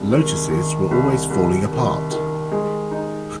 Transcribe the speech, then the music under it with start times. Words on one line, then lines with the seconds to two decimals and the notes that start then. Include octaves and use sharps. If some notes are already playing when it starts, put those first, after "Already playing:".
Lotuses were always falling apart...
Already playing: C2 G#3
0.11 D#3
0.50 D#3
0.91 C2
1.30 C2
1.71 D#3
2.11 D#3
2.52 G#3
2.91 D#4